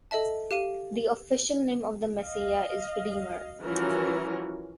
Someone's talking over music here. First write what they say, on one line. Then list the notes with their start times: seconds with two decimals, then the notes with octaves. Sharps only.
The official name of the Messiah is Redeemer.
0.11 A4 D#5 E5 A5
0.51 G4 F5 D#7
2.20 D#5 F5
3.63 E3 F3 G3 C#4 F#4 A#4